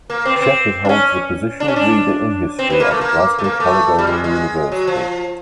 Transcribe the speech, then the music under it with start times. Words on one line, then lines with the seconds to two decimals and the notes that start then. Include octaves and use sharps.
Shepherd holds the position of reader in history at the Glasgow Caledonian University.
0.10 A#3
0.25 C4
0.36 B3
0.41 C4
0.85 D4
0.89 C#4
1.60 D4
1.68 C#4
1.76 D4
2.59 C4
2.70 B3
2.80 A#3
2.91 A3
3.01 A#3
3.38 A3
3.44 A#3
3.60 A3
3.98 G3
4.07 G#3
4.24 G#3
4.72 F#3
4.87 F3